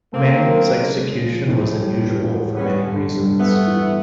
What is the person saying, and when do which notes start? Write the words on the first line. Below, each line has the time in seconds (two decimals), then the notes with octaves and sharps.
Manuel's execution was unusual for many reasons.
0.13 A3 A#3 C4
0.41 F#3
0.68 C#3
0.95 G#3
1.22 F3
1.48 A2
1.77 G3
2.03 E3
2.30 G#2
2.57 G3 B3 C#4
2.86 D3
3.12 G2
3.39 G3 A3 B3
3.67 E3